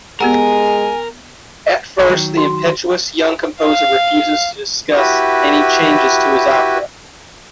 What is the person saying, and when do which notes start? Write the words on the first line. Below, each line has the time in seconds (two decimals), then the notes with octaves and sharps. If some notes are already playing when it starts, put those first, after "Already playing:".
At first, the impetuous young Composer refuses to discuss any changes to his opera.
0.21 G#3 B3 G4 A#4 F#5 G#5
2.09 D#3 F#3
2.37 F#4 C6
3.62 F5
4.97 E4 F#4 G4 B4